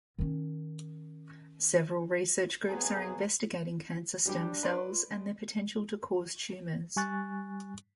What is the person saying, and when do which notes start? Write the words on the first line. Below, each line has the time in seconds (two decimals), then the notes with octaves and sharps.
Several research groups are investigating cancer stem cells and their potential to cause tumors.
0.19 D#3 C#4
2.67 C2 F#3 B3 G#4
4.26 F#3 G3 D4 G4
4.63 B4 D5 C6
4.88 F4
5.08 G#3
6.96 G3 G#5 C#6 F#6 A6